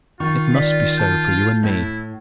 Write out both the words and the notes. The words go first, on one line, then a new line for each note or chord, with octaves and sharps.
It must be so for you and me.
D#3 F4 C#6
G#1 D5 B6
A5 G6
A2 E4